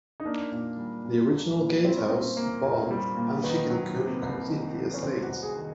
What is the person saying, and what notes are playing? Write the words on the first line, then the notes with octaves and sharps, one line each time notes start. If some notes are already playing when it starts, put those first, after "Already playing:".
The original gatehouse, barn and chicken coop complete the estate.
D#4
A#3 D4
A#2
G3
A#2
A#3
A#2
G3 C4
C#4
A#2 C4
A#3
A#2
G3
A#2
D#3 B3
F#3
C3
C2
D#3
F#3
C#4
C3 C4
F#4
C2
G#4
D#3